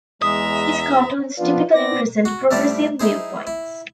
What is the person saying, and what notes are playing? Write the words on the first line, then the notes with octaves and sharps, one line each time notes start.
His cartoons typically present progressive viewpoints.
E2 G#3 E5 A#5 D#6
F3 B3 D4 F4
B3 C4 D5 A#6
F#4
A2 G3 A3 C4 E4
D#4 E4 G#4 C5
E4